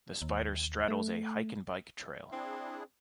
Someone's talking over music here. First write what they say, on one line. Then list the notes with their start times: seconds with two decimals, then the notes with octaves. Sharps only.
The spider straddles a hike and bike trail.
0.22 D#2
0.88 A3
2.32 C4 D4 E4 G#4